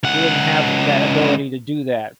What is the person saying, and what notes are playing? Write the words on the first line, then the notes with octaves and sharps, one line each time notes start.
You wouldn't have that ability to do that.
C#2 F#5